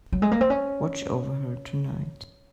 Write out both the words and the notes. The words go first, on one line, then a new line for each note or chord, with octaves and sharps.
Watch over her tonight.
F#3
G#3
A#3
C4
C#4